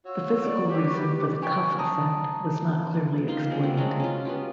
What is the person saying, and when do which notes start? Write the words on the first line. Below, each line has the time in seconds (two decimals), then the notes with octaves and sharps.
The physical reason for the cuff effect was not clearly explained.
0.05 F4 F#4 C#5 E6
0.44 D5
0.69 G4 B4 D6
1.42 G5 G#5 C#6
1.79 A5 A#5 D#6
3.28 D#3 F4 C6
3.50 G#3 C4
3.63 F#4
3.77 F#3 G#3 A3 F4
4.00 C#4 F4
4.25 B3 F4 G4